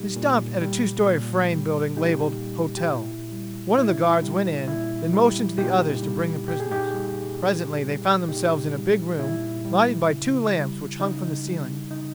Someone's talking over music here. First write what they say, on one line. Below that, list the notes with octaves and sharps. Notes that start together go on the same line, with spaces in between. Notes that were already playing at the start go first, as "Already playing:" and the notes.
They stopped at a two-story frame building labeled "Hotel." One of the guards went in, then motioned to the others to bring the prisoners. Presently they found themselves in a big room, lighted by two lamps which hung from the ceiling.
Already playing: A#2 G3 D#4 G4
A#2
G3
A#2
G3
A#2 D#4 G4
G3
G4
A#2 E4
G3
A#2 E4
G3
A#2 E4
G3
A#2 D#4 G4
G3
A#2 G4
G#4
D#4 G4
G3
A#2
G3
A#2 D#4 G4
G3
A#2 E4
G3
C#3
G3
C#3 D#4
G3
C#3 D#4